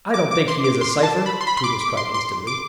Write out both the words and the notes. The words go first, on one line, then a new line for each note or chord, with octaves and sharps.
"I don't think he is a cypher," Tootles cried instantly.
D6
D6
C6
D6
C6
A5
B5
C6
B5
C6
D6
D6
C6
C6
D6